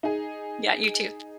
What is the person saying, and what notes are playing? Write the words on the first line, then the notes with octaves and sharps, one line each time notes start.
Yeah, you too.
D#4 G#4